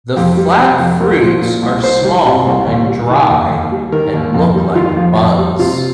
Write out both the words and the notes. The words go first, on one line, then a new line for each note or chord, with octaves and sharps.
The flat fruits are small and dry and look like bugs.
F2 G4
G3
C3
F2
C2 A#4
F3
A#2
C2
C2 C5
G3
C3
C2
D#2
G3
D#3
D#2
D#2
G3
D#3 A#4
D#2
F2
G3
D#3 F4
F2
F2
G3
C3 F4